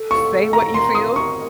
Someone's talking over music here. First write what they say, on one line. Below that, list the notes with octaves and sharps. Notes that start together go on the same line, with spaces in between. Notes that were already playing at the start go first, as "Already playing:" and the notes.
say what you feel,
Already playing: A4
C#6
A#5
A#4 C6
D#6
C#6